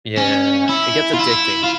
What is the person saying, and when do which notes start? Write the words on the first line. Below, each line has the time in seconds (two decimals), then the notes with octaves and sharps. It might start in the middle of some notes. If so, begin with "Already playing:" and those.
Yeah, it gets addicting.
0.17 C#4
0.69 E4
1.14 F4
1.20 E4
1.63 F4